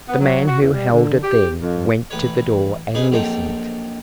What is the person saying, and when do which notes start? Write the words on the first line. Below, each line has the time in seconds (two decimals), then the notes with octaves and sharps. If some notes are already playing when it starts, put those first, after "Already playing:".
The man who held it then went to the door and listened.
0.08 B3
0.20 F#3
0.47 F#4
0.61 E2
0.73 G3
0.92 D3
1.23 G4
1.61 F2
2.11 A1 B4 C#5
2.94 C#4 D#4 G#4 B4 G#5
3.12 A#1 F#3 C4 D#4 A4 C#5